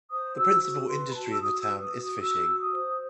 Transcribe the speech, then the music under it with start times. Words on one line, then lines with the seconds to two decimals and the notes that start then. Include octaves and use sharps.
The principal industry in the town is fishing.
0.10 C5 D#6
0.36 F#4 E6
0.62 F#4
0.88 B4 C6
1.09 B5
1.14 F#4 A5
1.29 E6
1.40 F#4 D#6
1.60 E6
1.67 B4
1.80 D#6
1.93 F#4
2.00 D#6
2.18 F#4 E6
2.46 F#4
2.59 D#6
2.71 C5